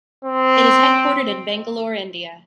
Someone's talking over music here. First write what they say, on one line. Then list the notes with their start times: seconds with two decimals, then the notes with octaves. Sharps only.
It is headquartered in Bangalore, India.
0.25 C4